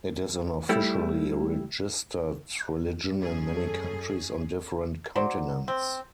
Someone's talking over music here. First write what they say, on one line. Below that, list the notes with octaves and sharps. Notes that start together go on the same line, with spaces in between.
It is an officially registered religion in many countries on different continents.
G3 A3 E4
F#2 C#4 G#4
A4
F#3 C5 D5
C4